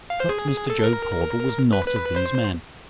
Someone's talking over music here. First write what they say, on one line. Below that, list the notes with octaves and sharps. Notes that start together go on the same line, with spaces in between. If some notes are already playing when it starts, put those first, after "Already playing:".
But Mr. Job Caudle was not of these men.
F5
C5
G#4
A4
A#4
B4
B4
C5